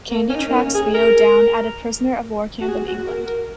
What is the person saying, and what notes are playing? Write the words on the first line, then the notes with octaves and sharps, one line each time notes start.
Candy tracks Theo down at a prisoner of war camp in England.
A#3
C#4
D#4
A#3
C#4
G#4
A#4
F#4
G#4
F#4
A#4
A#4